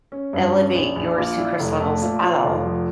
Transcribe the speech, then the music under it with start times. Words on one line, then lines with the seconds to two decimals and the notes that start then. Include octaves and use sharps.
elevate your sucrose levels at all.
0.12 C#4
0.33 G2
0.55 C#4
0.75 A#1
0.96 A#1
1.18 A#2
1.39 E4
1.60 F1
1.80 A3
2.02 A#2
2.23 F4
2.44 F1
2.65 F3